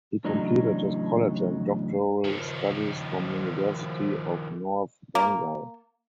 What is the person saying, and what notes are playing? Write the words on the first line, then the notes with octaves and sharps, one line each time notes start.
He completed his college and doctoral studies from University of North Bengal.
E2 A2 C#3 F#3 D4 D#4
D#3 F3
A#3